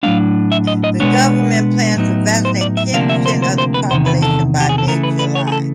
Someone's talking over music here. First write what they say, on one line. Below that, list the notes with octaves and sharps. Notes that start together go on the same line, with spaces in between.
The Government plans to vaccinate ten percent of the population by mid July.
A2 F#3 A3 D4 F5
E5
D#5
D#5
B2 G#3 B3 D4 C#5
A2 F#3 B3 D#4
C5
D5
E5
D2 C3 F3 A#3 D4 F5
E5
C5
C5
C5
B4
E2 C3 D#3 C5
B4
A4
G4
G#4
A4
C#3 E3 A3 A#4
B4
B4
C#5
G#4
A4